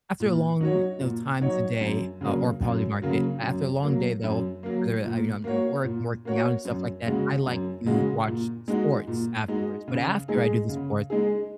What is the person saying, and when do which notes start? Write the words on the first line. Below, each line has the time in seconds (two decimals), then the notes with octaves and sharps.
after a long, you know, times a day, uh, or Polymarket, after a long day though, whether, uh, you know, I'm doing work, I'm working out and stuff like that, I like to watch sports afterwards. But after I do the sports,
0.20 A#2
0.61 F#3 D#4 F#4 C#5
1.01 A#2
1.41 F#3 D#4 F#4 C#5
1.81 F#2
2.21 C#3 F#3 A#3
2.62 F#2
3.02 C#3 F#3 A#3
3.43 F#2
3.83 F#3 A#3
4.24 F#2
4.63 F#3 A#3
5.04 A#2
5.44 A#3 F#4 C#5
5.84 A#2
6.25 A#3 F#4 C#5
6.65 F#2
7.06 C#3 G#3 F#4
7.47 F#2
7.86 C#3 G#3 F#4
8.27 A#2
8.68 G#3 D#4 F#4
9.07 A#2
9.48 G#3 D#4 F#4
9.88 C#3
10.28 G#3 D#4 G#4
10.69 C#3
11.10 G#3 D#4 G#4